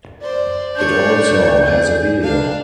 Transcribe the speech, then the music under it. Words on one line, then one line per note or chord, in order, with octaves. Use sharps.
It also has a video.
C5 D5
D4 C#5 G6
G#4
D4 F5